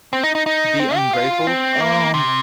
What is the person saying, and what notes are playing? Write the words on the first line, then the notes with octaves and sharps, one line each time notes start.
be ungrateful, um,
C4
D#4
D#4
D#4
C4
G4
F4
C4
A#3
C3